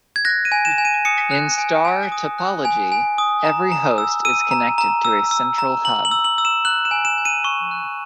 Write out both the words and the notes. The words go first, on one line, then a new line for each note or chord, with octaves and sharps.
In star topology, every host is connected to a central hub.
G#6
F#6 A#6
D#7
G#5
E7
G#5
D#7
D#6 C#7
F#6
G#5
G#5
D#6
F#6
G#5
G#5
D#6
A#5
A#5
E6
E6 D#7
A#5
A#5
E6
E6
A#5
A#5 F#7
F#7
E6
F#7
E6
E7
F#6 F#7
E7
G#5
E7
G#5
D#7
C#6
F#6